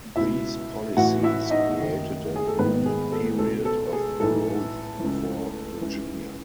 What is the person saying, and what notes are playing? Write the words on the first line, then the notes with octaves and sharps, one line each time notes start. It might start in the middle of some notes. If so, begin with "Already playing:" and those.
These policies created a boom period of growth for Virginia.
C#2 B2 E4 E5
A1 A2 E3 F#4 F#5
E4 E5
D#4 D#5
F#1 F#2 D#3
G#4
A4
G#1 G#2 D#3 B3 B4
G#4
A4
C#2 B2 A4
A4
G#4
B1 A2 E3 A4
C#2 C#3 E3
C#2 C#3 E3